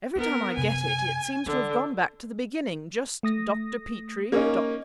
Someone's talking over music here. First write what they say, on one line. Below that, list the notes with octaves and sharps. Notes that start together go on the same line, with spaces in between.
Every time I get it, it seems to have gone back to the beginning--just Dr. Petrie--Dr.
B3 D4 E4 A#4
F#2 C3 G#5
D3 E3
A3 D#6 A#6
A#3 C#4 D#4